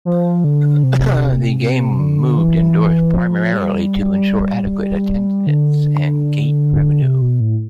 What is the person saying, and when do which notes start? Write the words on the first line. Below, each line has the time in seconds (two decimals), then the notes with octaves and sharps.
The game was moved indoors primarily to ensure adequate attendance and gate revenue.
0.05 F3
0.44 D3
0.83 C3
1.59 C3
1.99 D3
2.38 E3
3.14 F3
3.53 G3
5.47 D3
7.02 C3
7.21 B2
7.40 A2